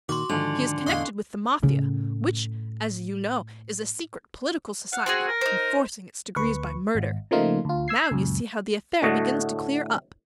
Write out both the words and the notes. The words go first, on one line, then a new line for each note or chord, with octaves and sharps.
He is connected with the Mafia, which, as you know, is a secret political society, enforcing its decrees by murder. Now, you see how the affair begins to clear up.
A#2 D#3 F#4 C6 D6
G#2 D3 D#3 F3 G#5 F7 F#7
A1 E2 D#5 F5 G#5 C#6 F#6 C7
A2 C#3
F5 F#5
C4 F#4 G#4
A#4
D#4 C5
D2 B4 C#6
G#1
C#3 F3 A3 A#3 D#4 F4
D2 F4
E6 G#6 C7
C#2 F#2 A#2
A2 D3 A3 F#4 D#5